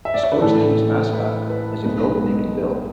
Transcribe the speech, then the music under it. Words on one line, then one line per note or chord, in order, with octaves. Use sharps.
The sports teams' mascot is a goat named Bill.
E5
D5
C#5
B4
A1 A2 E3 A4
B4
B4
B1 B2 A3 B4